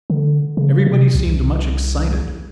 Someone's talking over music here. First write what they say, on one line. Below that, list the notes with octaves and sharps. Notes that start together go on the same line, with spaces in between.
Everybody seemed much excited.
D3
C#3
C3
C2